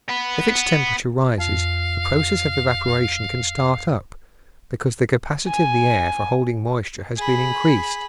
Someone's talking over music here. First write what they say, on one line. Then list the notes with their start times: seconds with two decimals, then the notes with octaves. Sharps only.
If its temperature rises the process of evaporation can start up, because the capacity of the air for holding moisture has been increased.
0.09 B3 B4
1.38 F2 F5
5.49 G#5
7.16 G#4 B5